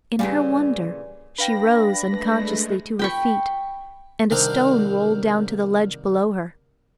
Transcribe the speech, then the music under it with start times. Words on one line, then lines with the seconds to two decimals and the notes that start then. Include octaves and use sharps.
In her wonder, she rose unconsciously to her feet and a stone rolled down to the ledge below her.
0.19 A#2 C#3 E3 G3 F5 G#5
1.38 D4 B4 F5 G5 B5 A#6
2.12 G#3 A3 B4
2.99 G5 B5 C#6
4.31 C2 D#3 C4 D4 A#4 C5